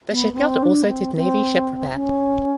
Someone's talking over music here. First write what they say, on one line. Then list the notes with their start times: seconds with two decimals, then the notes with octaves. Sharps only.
The shipyard also did Navy ship repair.
0.11 B3
0.33 B3
0.36 C4
0.62 D4
0.82 B3
0.89 C4
1.15 C4
1.94 C#4